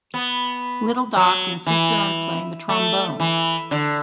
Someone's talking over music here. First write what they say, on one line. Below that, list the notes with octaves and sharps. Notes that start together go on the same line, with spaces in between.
Little Doc insisted on playing the trombone.
B3
F#3
E3
A3
E3
D3